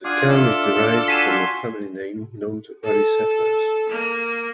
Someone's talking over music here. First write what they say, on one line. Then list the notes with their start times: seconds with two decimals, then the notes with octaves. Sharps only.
The town is derived from a family name known to early settlers.
0.04 D4 F4 G#4 F#5
0.30 A4 E5
1.08 F#4 G#5 C6 B6 D#7 E7
2.83 A4
3.89 A#3